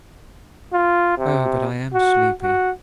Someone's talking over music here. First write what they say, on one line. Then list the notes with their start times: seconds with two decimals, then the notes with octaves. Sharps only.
Oh, but I am sleepy!
0.73 F4
1.18 C3
1.93 F#4
2.42 F#4